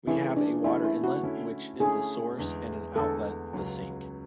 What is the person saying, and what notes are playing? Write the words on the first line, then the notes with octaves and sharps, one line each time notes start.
We have a water inlet, which is the source, and an outlet, the sink.
E3 A3 C#4 E4 G#4
D4
E3 A3 C#4 E4 G#4
E4
F#4
D3 A3 C#4 E4
D3 A3 C#4 E4 G#4
E2 D3 G#3
E2 D3 G#3 A4
C#2 C#3 F#3